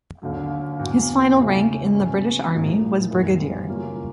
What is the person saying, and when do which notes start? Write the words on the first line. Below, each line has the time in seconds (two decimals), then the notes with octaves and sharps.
His final rank in the British Army was brigadier.
0.22 D#2 D3 F#3
0.79 E2 B2 F#3
1.37 C#3 F#3 A3
1.94 B2 G#3 C#4
2.52 A#1 A2 F3 A#3 D#4
3.09 F#2 D#3 G3 B3
3.67 C#3 F#3 A#3 C#4 F4